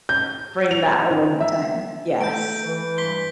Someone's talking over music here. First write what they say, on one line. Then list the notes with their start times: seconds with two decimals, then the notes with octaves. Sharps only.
bring that alone time. Yes.
0.09 G6
0.71 F7
1.10 D#3
1.40 E5
2.21 A3 G6 D7
2.64 E3 B4
2.98 G2 C6 B6 G7